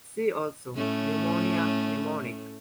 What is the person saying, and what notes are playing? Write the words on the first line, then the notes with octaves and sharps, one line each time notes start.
"See also:" Pneumonia, Pneumonic.
A2 A3 C#4